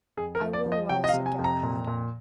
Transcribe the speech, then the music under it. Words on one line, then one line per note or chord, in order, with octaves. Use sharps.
I will well, said Galahad.
F2 G#4
A#4
F3
D5
F3
D#5
C3 G5
D#5
F5
C3
G#5
F2
A#5
A#2
A#2